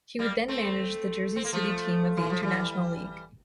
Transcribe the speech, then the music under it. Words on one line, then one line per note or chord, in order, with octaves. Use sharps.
He would then manage the Jersey City team of the International League.
G3 A#3
A3 C4
C4
A#3
F3 A3
E3
F3
E3 G3